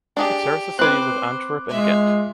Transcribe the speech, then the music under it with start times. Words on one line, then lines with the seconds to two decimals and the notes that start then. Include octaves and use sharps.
It serves the cities of Antwerp and Ghent.
0.17 D4 G4 G#4 A5
0.79 C4 B4 C5 D6 F#6
1.69 G#3 F4 E5